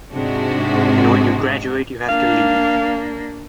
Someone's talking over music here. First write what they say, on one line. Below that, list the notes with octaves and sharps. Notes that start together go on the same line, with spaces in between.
And when you graduate you have to leave.
G#2 C3 G#3 D4 F#4
A#3 D4 F5